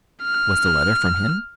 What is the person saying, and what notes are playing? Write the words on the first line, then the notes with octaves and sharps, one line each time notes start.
"Was the letter from him?"
F6